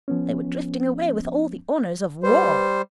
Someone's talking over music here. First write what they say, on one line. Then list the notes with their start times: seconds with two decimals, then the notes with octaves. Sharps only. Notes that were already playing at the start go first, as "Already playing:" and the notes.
They were drifting away with all the honours of war.
0.08 F3 B3 C#4
2.23 G3 B4 C5